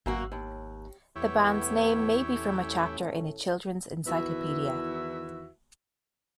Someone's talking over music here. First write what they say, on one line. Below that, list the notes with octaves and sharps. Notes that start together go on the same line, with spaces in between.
The band's name may be from a chapter in a children's encyclopedia.
G#1 F#2 A#3 F#4
D#2
E2 A2 B3 E4 G4 C#5
A2 A3 C#4
E2 D#3 E4 F#4 B4 E5